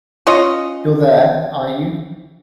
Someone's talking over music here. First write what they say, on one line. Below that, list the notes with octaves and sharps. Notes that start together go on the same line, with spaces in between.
You're there, are you?
C#4 F4 C#5 D#5